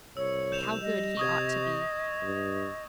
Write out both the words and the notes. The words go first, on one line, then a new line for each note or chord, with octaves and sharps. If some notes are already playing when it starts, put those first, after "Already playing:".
But how good he ought to be!'
C2 C#5 E6
G6 E7 F7
G3 D#5
C3 C#6 D#6 G#6
G2